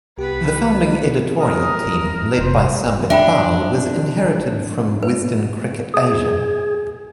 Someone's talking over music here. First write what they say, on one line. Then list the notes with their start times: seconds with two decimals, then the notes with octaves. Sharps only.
The founding editorial team, led by Sambit Bal, was inherited from "Wisden Cricket Asia".
0.18 C2 B3 G4 B4
1.41 A#4 D#6
1.86 G3
2.39 F1 C2 C5
3.10 D4 E5 G5 B5
5.03 B4
5.94 G#4